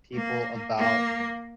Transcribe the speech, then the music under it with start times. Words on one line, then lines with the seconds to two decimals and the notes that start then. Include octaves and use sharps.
people about
0.14 A#3
0.78 A#3